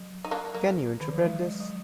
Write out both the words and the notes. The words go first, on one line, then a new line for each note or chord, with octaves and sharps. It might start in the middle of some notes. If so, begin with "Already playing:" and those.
Can you interpret this?
Already playing: F#3
D#4
A#3 D4
F#3 A#3
D#3
F3
F#3
G#3
F#3
F#3